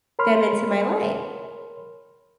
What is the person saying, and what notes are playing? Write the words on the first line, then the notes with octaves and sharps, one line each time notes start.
them into my life.
A#4 C#5 B5 C6 F6